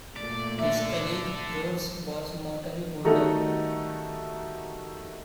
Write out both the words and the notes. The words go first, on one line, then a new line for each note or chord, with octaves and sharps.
His colleague Rodes was mortally wounded.
A#2 A3 D5
A4 D5 E5
D#3 G3 A3 D#4 F#4 A4